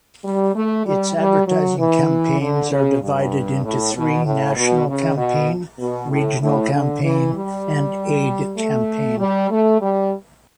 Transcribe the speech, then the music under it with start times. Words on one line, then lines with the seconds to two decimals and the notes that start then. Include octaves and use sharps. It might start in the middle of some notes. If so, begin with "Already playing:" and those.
Its advertising campaigns are divided into three; national campaign, regional campaign and aid campaign.
0.24 G3
0.55 A3
0.85 G3
1.17 G3
1.47 F#3
1.78 E3
2.40 D3
2.71 C#3
3.01 G2
3.63 A2
3.94 B2
4.25 A2
4.56 B2
4.87 C#3
5.17 B2
5.79 B2
6.11 A2
6.41 A2
6.72 D3
7.03 E3
7.34 G3
8.56 A3
9.18 G3
9.50 A3
9.80 G3